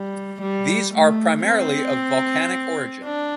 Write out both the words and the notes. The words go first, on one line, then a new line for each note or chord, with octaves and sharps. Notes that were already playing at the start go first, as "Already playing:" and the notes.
These are primarily of volcanic origin.
Already playing: G3
G3
A3
C4
D4